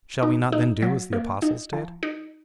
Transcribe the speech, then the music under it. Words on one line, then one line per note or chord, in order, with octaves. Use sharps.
Shall we not then do as the apostles did?
D#4
D#4
F#3
A#3
D#4
F3
D#4